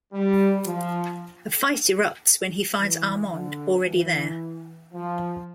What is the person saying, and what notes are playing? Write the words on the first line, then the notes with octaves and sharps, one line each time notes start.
A fight erupts when he finds Armand already there.
G3
F3
E3
D3
E3
F3